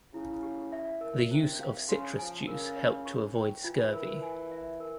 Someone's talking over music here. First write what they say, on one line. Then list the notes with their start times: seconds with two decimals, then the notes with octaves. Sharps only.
The use of citrus juice helped to avoid scurvy.
0.14 C#3 E4
0.43 G4
0.72 E5
1.01 A#4
1.30 C3 C5
1.60 F5
1.89 C#3 C6
2.18 F3 G#5
2.47 C#3 A#4
2.76 C#5
3.06 C#6
3.35 G5
3.64 E3 F4
3.93 A#4
4.22 G#5
4.52 E5
4.80 A#4